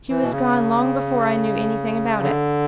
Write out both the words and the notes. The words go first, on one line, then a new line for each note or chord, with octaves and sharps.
She was gone long before I knew any thing about it.
E3
B2
C#3
D3